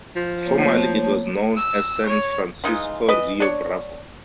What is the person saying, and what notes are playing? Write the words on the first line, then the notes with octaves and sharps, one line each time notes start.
Formerly it was known as San Francisco Rio Bravo.
F3
A3 A#3 C#5
E6
C#5
E3 G#3 D#4 F4
E3 B4 D#5
D4 C#5